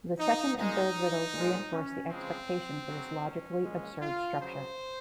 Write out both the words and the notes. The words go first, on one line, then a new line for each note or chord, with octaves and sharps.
The second and third riddles reinforce the expectation for this logically absurd structure.
D#4
A#2 G#3 D#4
A#2 F3 G#3
C#4
C#3 F3 G#3 C4
C#3 F#3
C#4
A#2 G#3
F4
C#3 F#3 C5